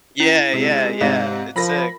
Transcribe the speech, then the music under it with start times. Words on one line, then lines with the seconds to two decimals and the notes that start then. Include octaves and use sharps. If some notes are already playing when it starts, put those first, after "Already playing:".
Yeah, yeah, yeah, it's sick.
0.20 C#4 E4
0.53 C3 G#3
1.01 G#2 C3 D5 D#5 F5
1.56 F3 F4 A#4 A5 B5 A#6